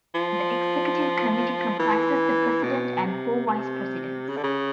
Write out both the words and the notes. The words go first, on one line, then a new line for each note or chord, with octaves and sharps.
The Executive Committee comprises the President and four Vice-Presidents.
F3
E3
B2
C3
C3
C#3
D3
C#3